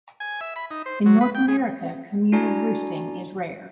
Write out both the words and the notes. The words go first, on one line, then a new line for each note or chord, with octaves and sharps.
In North America, communal roosting is rare.
G#5
E5
B5
D#4
C5
F#3
B4
G5
G#4
D4 E4 F#4 D5 G#5 A#5